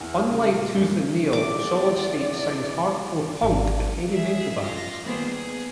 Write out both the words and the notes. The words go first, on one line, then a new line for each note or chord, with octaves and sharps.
Unlike Tooth and Nail, Solid State signs hardcore punk and heavy metal bands.
E2
C#6
C#3
A#2
F#2
A#2
E2 D5 D6
G#1 D3
G#4 E5
F4 A#6
D#3 G3 A#3 B3 G#4 C5
G#4